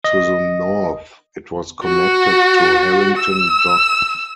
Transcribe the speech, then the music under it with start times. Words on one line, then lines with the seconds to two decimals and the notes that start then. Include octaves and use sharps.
To the north it was connected to Harrington Dock.
0.04 D#5
1.83 F#4
3.17 E6